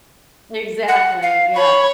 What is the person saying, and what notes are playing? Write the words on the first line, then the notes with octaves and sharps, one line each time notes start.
Exactly, yeah.
F#5
F5
C#5 B5